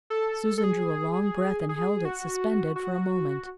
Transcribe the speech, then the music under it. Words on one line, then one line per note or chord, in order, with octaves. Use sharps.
Susan drew a long breath and held it suspended for a moment.
A4
A4
G#4
G#4
F#4
F#4